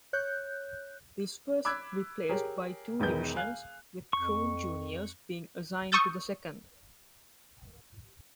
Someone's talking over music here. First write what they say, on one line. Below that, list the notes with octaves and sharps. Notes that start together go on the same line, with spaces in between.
This was replaced by two Divisions with Troon Juniors being assigned to the Second.
C#5 F#6 G6
B5 D6 E6 F#6 G#6
G4 G#4 A#4 C#5
E1 E2 D#3 B4 G6
F5 G#5 F#6
F2 C#6
C#6 D#6 E6 G6 A6